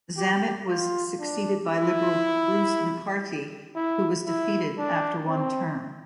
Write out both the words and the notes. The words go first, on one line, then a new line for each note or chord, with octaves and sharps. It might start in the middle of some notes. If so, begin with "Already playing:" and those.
Zammit was succeeded by Liberal Bruce MacCarthy, who was defeated after one term.
G4
F4
D4
E4
E4
E4
D4
C4